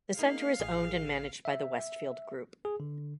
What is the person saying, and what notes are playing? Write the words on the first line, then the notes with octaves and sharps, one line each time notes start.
The centre is owned and managed by The Westfield Group.
A#3 D#4 G#4 F5
A1 G#4
E5
G#4
D3